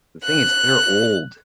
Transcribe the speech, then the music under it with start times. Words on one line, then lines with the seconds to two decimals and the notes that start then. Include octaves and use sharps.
the thing is they're old,
0.23 F#6